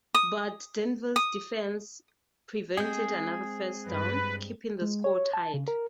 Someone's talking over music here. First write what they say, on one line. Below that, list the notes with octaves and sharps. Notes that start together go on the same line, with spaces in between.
But Denver's defense prevented another first down, keeping the score tied.
D#6
D#6
G#3 C4 G#4 G6
G2 B4
G#3
C#5
A5
C#3
A#4